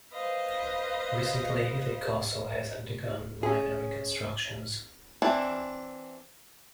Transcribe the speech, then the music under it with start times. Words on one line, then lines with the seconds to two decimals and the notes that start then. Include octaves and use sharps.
Recently, the castle has undergone minor reconstructions.
0.11 B4 C5 D#5 F5
3.43 C#4 G#4
5.22 E3 C4 D4 E4